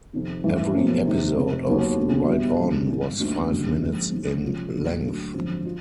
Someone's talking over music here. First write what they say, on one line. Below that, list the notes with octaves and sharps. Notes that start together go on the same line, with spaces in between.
Every episode of "Write On" was five minutes in length.
F2 C3 D#3
A1 G2 E3
B1 A2 F3 A#3
C3 D#3 G#3
F1 F2 C3
D#2 D#3 F#3 B3
E1 D#2 D3 F#3
B2 G3 B3 E4
G#1 F#2 D3 G3
G#1 G2 E3
D2 D3 G3 A#3 D#4
F#1 F2 D3 G3
G#2 F3 G#3
C2 C3 D#3 F#3
C3 F3 G#3 C#4 F4
A#2 F#3 A#3
D2 D3 F#3
G#1 F#2 D3 F3
F4